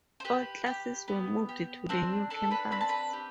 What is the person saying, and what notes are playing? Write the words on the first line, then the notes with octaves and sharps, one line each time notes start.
All classes were moved to the new campus.
C5
G4 B4
G4
B3
G4
C4 D4 C5
D4 A4 A5
B4 B5
C4 B5
A5
B4 B5
G4